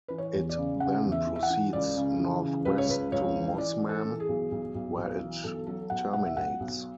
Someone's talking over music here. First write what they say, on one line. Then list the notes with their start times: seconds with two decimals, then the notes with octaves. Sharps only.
It then proceeds north-west to Mossman where it terminates.
0.08 E3 B4
0.18 C#5
0.34 E2
0.49 D5
0.57 C#3
0.80 C#3 F#5
1.04 E2
1.12 E5
1.27 E3
1.36 E5
1.43 F#5
1.50 E3
1.73 C#2 D5
1.96 C#3
2.20 E3
2.42 C#3
2.65 C#2 B4
2.78 C#5
2.89 C#2 B4
3.12 C#2 C#5
3.36 E3
3.58 E3 D5
3.82 E3
3.89 A4
4.05 E3
4.20 G#4
4.29 B1
4.52 B1
4.75 B1
4.97 B1
5.21 E3
5.44 B1 A4
5.67 F#3 A4
5.90 B1 F#5
6.13 B2 F#5
6.26 E5
6.37 B1 F#5
6.60 B1